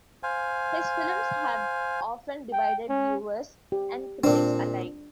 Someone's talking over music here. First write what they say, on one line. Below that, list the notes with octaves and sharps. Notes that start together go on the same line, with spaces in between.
His films have often divided viewers and critics alike.
C5 F5 G#5
G5
C#4
G4
A#2 C4 D4